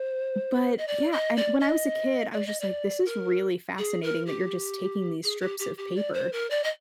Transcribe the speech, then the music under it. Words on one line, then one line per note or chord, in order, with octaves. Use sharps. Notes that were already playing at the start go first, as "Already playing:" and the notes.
but yeah, and when I was a kid, I was just like, "This is really fascinating that you're just taking these strips of paper."
Already playing: C5
D#5
D5
D#5
D5
D#5
D5
D#5
D5
A#4
G#4
A#4
G4
G#4
G4
G4
G4
D5
C5
A#4
D5
D#5